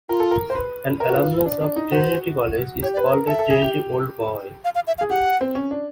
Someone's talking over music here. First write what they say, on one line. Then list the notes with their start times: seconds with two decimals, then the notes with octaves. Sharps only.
An alumnus of Trinity College is called a "Trinity Old Boy".
0.09 F4 A#4
0.20 A4
0.31 A#4
0.50 C5
0.55 B4
1.00 A#4 B4
1.10 F#4
1.15 F4
1.46 D4
1.61 D4
1.76 D#4
1.91 F#4 C5
2.83 G4 C#5
2.94 D5
2.97 B4
3.06 C#5
3.13 A#4
3.27 A4 E5
3.39 A4
3.50 G#4
3.62 G4
4.65 F5
4.75 F5
4.87 E5
4.98 F5
5.01 G#4
5.10 G4 F#5
5.41 C4
5.55 C#4
5.71 D4